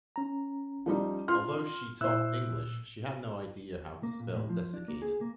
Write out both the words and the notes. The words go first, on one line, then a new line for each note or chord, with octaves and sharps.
Although she taught English, she had no idea how to spell desiccated.
C#4 A#5
F3 G3 D#4
F4 C6 F6
A#2 E4 C5 E6 F#6
A#3
A#2
A2
F3
D4
A#3
G#4
A#3